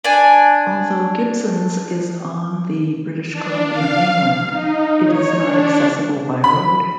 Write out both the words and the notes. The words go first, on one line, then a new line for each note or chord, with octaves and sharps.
Although Gibsons is on the British Columbia mainland, it is not accessible by road.
D4 G#5
D4
F5
D#4
C#5
D4
B5